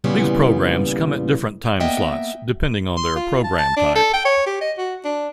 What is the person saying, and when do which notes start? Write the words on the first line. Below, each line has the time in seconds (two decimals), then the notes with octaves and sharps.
These programmes come at different timeslots, depending on their programme type.
0.04 E2 A#2 C#3 E3 G3 B3
1.80 A#3 B3 D#5 E5 G5
2.97 C6
3.15 F4
3.44 A5
3.58 A5
3.76 D4
3.95 A4
4.13 G5
4.25 C#5
4.46 G4
4.61 D#5
4.78 F#4
5.04 D4